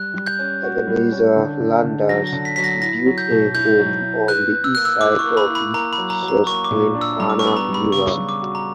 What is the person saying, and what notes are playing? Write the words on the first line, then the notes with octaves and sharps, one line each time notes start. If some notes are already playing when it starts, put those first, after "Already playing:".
Ebenezer Landers built a home on the east side of the Susquehanna River.
Already playing: G3 F#6
G3
G6
C#4
F#4
G3
C#4
D3
D3
D3
F#3 A#6
A#6
D3
B6
F#3 B6
A#6
E4 A#6
F#3
G6
B2
E4 G6
F#3
E4
B4 F#6
B4
E6
A#3 F#6
E6
E4 D6
C#6
A#3
B5
E4
B5
A#3 A#5
B5
F#3
A#5
F#3
A#5
A#3 C#6
D6
A#2
D4
E6
G3 A#5
D6
C#6
B3 B5
A#5
G3
B5
C#3 C#6
G3
D6
F#4
A#5